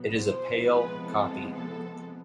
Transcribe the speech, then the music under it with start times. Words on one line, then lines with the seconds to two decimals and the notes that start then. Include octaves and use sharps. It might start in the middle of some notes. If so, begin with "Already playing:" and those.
It is a pale copy.
Already playing: B2 F#3 B3
0.17 C5
0.63 C3 F3 G#3 B3 B4
1.09 A4
1.54 A4